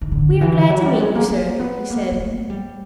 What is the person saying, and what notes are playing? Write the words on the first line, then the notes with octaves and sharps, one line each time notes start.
"We are glad to meet you, sir," he said.
D#3
D3
E3
F#3
G3
G#3
A#3
A#3
B3
A#3
A#3
A3
G3